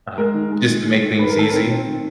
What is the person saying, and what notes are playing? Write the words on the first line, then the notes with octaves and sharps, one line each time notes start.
Uh-huh, just to make things easy.
G#3 A#4
D#3
G#3
D#3
G#3
D#3
D#3 B4
A#4
D#3 A4
C4 A#4
C4
D#3